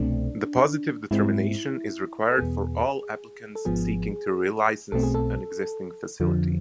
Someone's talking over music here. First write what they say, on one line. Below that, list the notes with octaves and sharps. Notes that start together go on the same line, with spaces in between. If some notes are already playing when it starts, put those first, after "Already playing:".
The positive determination is required for all applicants seeking to relicense an existing facility.
Already playing: C2 B2 A3 C4 D4
G#2 G#3 C4 E4
A4
E2 B2 B3 G#4
A4
G#1 G#2 F3 B3 G#4
B1 B2 A3 C4 A4
G#4
A4
F2 D3 F3